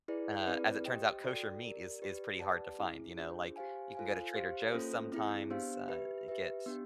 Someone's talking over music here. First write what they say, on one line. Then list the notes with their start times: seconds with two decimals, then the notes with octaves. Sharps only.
uh, as it turns out, kosher meat is is pretty hard to find, you know, like, you can go to Trader Joe's sometimes, uh, get
0.08 E4 G#4 B4 D5
0.46 C4 E4 G#4 B4 D5
0.85 G4 C5 D#5 G5
1.24 F#4 A4 D5 G5
1.63 G4 A#4 D5
2.02 G4 B4 D5
2.40 G4 B4 D5 F#5 A5
2.78 C4 E4 G#4
3.17 D4 F4 G#4 C5
3.56 G4 C5 F5 G#5
3.95 F4 A4 C5 F5 G#5
4.34 G4 C5 F5
4.72 A#3 C#4 F4 A4 C5
5.12 C4 E4 G#4
5.50 B3 D4 G4 C5 F5
5.89 G4 B4 E5
6.28 G4 B4 E5
6.66 B3 D4 G4